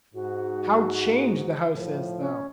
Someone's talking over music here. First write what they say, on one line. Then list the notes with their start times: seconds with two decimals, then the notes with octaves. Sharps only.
How changed the house is, though!
0.15 G#2 F#4
1.73 A2 F3
2.21 C#4